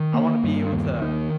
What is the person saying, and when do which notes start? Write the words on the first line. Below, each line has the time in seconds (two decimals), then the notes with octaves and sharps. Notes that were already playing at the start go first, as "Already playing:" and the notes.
I wanna be able to
Already playing: D#3
0.14 A#3
0.44 G2
0.72 D#2
1.02 D#3